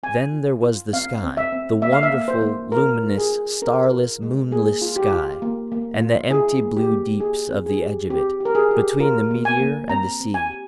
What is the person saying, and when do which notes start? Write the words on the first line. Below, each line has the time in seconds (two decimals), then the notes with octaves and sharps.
Then there was the sky, the wonderful, luminous, starless, moonless sky, and the empty blue deeps of the edge of it, between the meteor and the sea.
0.03 C4 G#5
0.33 F4
0.62 F4
0.93 C4 F5
1.23 C4
1.37 E5
1.52 C4
1.82 A#3 E5
1.92 F5
2.03 E5
2.13 A#3
2.28 C5
2.42 A#3
2.72 F4 A#4
3.03 F4
3.17 G#4
3.32 F4
3.62 C#4 A#4
3.92 F4
4.22 G#3
4.51 A#3 G#4
4.82 F4
4.96 G4
5.12 F4
5.42 A#3
5.72 A#3
6.01 F4
6.31 E4 G#4
6.62 A#3
6.77 G4
6.91 A#3
7.20 G4 G#4
7.50 C4
7.66 G#4
7.80 G4
8.10 C4 G4
8.40 G4
8.45 A#4
8.55 G#4
8.71 G4
9.00 F4 A#4
9.31 A#3
9.45 G#5
9.61 A#3
9.89 C4 A#5
10.20 C4
10.34 G#5
10.50 G4